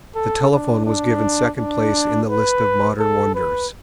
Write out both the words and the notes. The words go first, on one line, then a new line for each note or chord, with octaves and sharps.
The telephone was given second place in the list of modern wonders.
A4
D4
D4
D4
B4
A4
B4